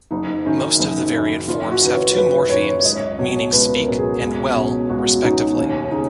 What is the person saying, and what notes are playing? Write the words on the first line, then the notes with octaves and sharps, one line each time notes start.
Most of the variant forms have two morphemes, meaning "speak" and "well" respectively.
F#1 D#4
F#2 D#3 C#4
F#1 D#4
F#2 D#3
F#1 F4
F#4
F#2 D#3 B4
C#5
F#1 B4
F#2 D#3 C#5
C#5
C#2 D#5
B2 F#3 C#4 C#5
C#2 B4
A#4
B2 F#3 C#4
G#4
C#2
B2 F#3 C#4
C#2 F#4
B2 F#3 C#4 D#4
D#2 C#4
C#3 D#4